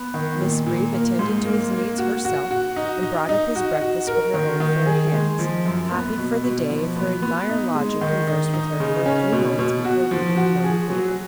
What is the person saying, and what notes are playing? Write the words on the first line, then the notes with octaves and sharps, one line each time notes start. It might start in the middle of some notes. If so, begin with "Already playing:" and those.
Miss Greeb attended to his needs herself, and brought up his breakfast with her own fair hands, happy for the day if her admired lodger conversed with her for a few moments before reading the morning paper.
Already playing: B3
D#3
A#2
A#2
A#3
G#2
A#3
A#3
F#4
F#4
F#4
D#4
D#4
D#4
F#4
F#4
A#4
D#3
D#3
G#4
G#3
F3
F#2
B3
B2
B2
F3
B3
B3
D#4
G#3
D#3
D#4
D#4
C#3
C#4
B2
B2
F#4
F3
F#4
G#4
F#3